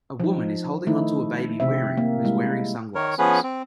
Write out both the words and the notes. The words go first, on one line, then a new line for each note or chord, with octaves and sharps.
A woman is holding onto a baby wearing who is wearing sunglasses.
F3 D#4
D#3 A3 D#4 E4
C3 C4 E5
A#3
G3 G#3 E4
D#3 A#4 C#5
F3 B3 C#4 G#4 B4
C4